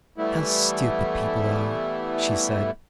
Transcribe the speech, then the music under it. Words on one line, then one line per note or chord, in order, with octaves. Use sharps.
"How stupid people are," she said.
E3 G3 A3 B3 E4